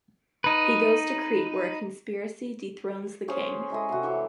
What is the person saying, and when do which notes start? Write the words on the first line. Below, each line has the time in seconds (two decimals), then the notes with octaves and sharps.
He goes to Crete where a conspiracy dethrones the king.
0.44 D#4 B4
3.28 C#4 G#4 C5 C#5
3.70 G#3 E4 A4 D#5
3.89 C3 E4 F#4
4.03 E3 F#3 G4